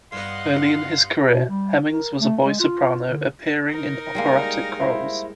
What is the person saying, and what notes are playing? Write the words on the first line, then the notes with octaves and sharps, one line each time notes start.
Early in his career, Hemmings was a boy soprano appearing in operatic roles.
G2 B3 D#5 F5 F#5 C6
B2
G3
A#4
A3
G#3
F4
D3
D#4 A#4
G3 G#3 A#3
E4 C5 F5